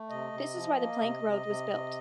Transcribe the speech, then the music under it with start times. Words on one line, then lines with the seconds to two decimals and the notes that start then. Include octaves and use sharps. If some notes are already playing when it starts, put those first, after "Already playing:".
This is why the Plank Road was built.
Already playing: A3
0.10 C3 D#5
0.33 C3
0.55 F3
0.78 A#3
1.01 C3
1.24 C3
1.47 C3
1.70 C3